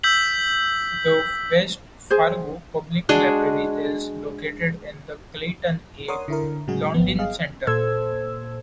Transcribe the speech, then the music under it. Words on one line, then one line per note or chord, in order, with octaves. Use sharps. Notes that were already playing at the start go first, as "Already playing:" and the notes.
The West Fargo Public Library is located in the Clayton A. Lodoen Center.
E6 G6 B6 F#7
G#4 C5
G#3 D4 F#4 G#4
A#4 C#5 D5 F#5 C6 D#6
D3 E4 A#4
A2 C#3 F#3 G#3 F#4 G#4
G#1 B3
G#4 D#5 F5
A#2 A4 C5 E6 G#6